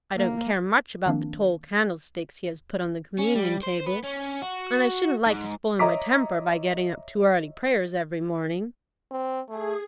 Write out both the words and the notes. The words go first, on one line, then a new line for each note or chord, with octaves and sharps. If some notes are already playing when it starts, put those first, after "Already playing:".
I don't care much about the tall candlesticks he has put on the communion-table, and I shouldn't like to spoil my temper by getting up to early prayers every morning.
A#3
D#3 F3 A#3 C4 D4
C#4
G3
C5
B3
C#4
F#4
G#2
C#5 D#5 E5 A#5 D6 B6
C4
A3 G#4